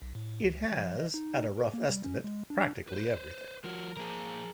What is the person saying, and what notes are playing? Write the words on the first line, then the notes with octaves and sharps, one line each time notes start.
It has, at a rough estimate, practically everything.
B1
A2
C#2
F3
D#5
D#4
A#4
A#3
G3
C#4
G#3
D4
B4 C5
F3 F#4 A#4
F3 A#3 G#4 A#4